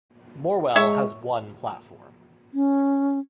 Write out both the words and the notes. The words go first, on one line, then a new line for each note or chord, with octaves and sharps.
Morwell has one platform.
G#3 C#5 E5 C#6
C#4